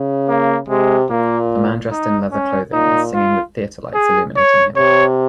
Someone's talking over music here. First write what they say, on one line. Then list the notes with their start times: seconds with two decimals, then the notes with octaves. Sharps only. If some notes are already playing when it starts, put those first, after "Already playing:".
A man dressed in leather clothing is singing with theater lights illuminating him.
Already playing: C#3
0.28 A#3
0.69 C3 G#3
1.10 A#2 A#3
1.91 D#4
2.32 C#4
2.73 A#2 D#4
3.14 F4
3.95 G#4
4.37 C#5
4.77 C3 C#5